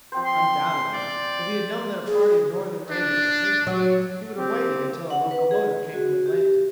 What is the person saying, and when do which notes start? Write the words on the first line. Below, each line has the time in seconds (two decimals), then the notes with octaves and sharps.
Undoubtedly, if he had known that a party of Northern raiders had taken it, he would have waited until a locomotive came from Atlanta.
0.12 F3 C4 C5
0.25 C6
0.93 D5
2.07 G#4
2.90 D4
3.67 F#3
4.37 C4 G4
5.10 F#5
5.31 B4
5.51 G#4
5.94 F#4
6.26 G4